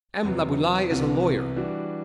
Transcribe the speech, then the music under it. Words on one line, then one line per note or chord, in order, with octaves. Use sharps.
M. Laboulaye is a lawyer.
E2 C3 F#3 B3
C2 C3 E3 B3
E3 G3 D4 F#4